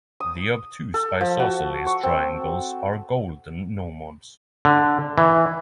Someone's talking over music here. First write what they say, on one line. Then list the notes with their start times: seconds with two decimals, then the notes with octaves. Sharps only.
The obtuse isosceles triangles are golden gnomons.
0.20 D#6
0.94 A4
1.21 F3
1.40 F#4
1.86 C#6
2.03 C4
4.65 D3
5.18 E3